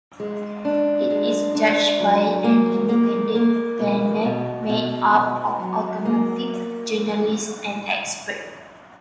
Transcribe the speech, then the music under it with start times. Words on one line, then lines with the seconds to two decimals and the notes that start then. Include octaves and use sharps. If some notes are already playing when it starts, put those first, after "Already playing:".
It is judged by an independent panel made up of automotive journalists and experts.
0.20 G#3
0.65 D4
1.10 G#3
1.55 D4
2.00 F#3
2.44 A#3
2.89 A#3
3.35 A#3
3.79 B2
4.25 B2
4.69 B2
5.15 B2
5.59 F#3
6.05 A#3